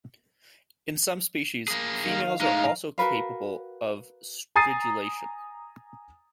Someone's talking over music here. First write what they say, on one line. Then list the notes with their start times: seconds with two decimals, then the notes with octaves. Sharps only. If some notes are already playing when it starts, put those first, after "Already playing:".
In some species, females are also capable of stridulation.
1.68 A#3 G#4
2.02 D#3 F5
2.41 A2 G#3 D#4 F5 A#5
2.98 F#4 A#4 B4 F5
4.56 G#5 A#5 D#6 A6 C7 D#7